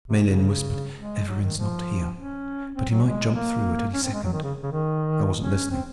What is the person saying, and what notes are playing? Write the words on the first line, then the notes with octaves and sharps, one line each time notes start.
Miellyn whispered, "Evarin's not here, but he might jump through at any second." I wasn't listening.
C3
C#3
G#3
F#3
D#3
F3
C#4
C4
F#3
G#3
A#3
C#4
C4
G#3
F#3
D#3
C#3
C#3
D#3
C#4
C4